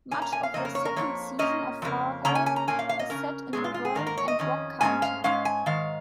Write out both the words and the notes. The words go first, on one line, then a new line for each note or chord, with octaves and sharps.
Much of the second season of "Fargo" is set in Luverne and Rock County.
A#2 A#3 C#4 G#5
A#5
G#5
F5
F2 C#3 A#3 C#4 D#5
A#4
C#5
A#4
F2 C#3 F3 A#3 C#5
A#2 A#3 C#4 D#5
F2 C#3 A#3
C#3 A#3 C#4 A#5
G#5
G#5
A#5
A#2 A#3 C#4 G#5
F5
F5
D#5
C#3 F3 C#4 A#4
A#2 F3 G#3 C#4 G#4
F4
F4
G#4
G#2 D#3 A#3 A#4
A#4
C#5
D#5
F2 D#3 C#4
G#2 G#3 C#4 G#5
F5
G#2 G#3 C#4 F5
G#5
G#2 D#3 F5